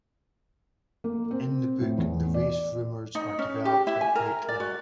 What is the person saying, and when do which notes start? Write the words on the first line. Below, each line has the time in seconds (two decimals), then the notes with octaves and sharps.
In the book, the race rumors are developed at great length.
1.04 A#3
1.31 C4
1.81 A2
1.98 E2
2.34 D5
3.15 D#4
3.39 C#4
3.65 G4
3.87 E4
4.01 G#5
4.15 A#4
4.48 D5
4.60 F#4